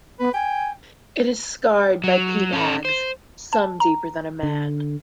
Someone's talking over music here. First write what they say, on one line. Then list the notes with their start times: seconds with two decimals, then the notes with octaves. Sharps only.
It is scarred by peat hags, some deeper than a man.
0.20 B3 B4
0.34 G5 G#5
2.04 F#3
2.53 C#4 A4
2.85 C5
3.53 A5
3.80 A#5
4.43 D3